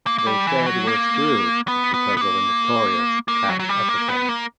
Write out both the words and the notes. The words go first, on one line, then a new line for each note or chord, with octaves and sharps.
They said we're screwed because of a notorious past episode.
A#3
A#3
G3
E3
F#3
A#3
B3
B3
B3
A#3
A#3
F#3
F#3
G3
A#3
B3
A#3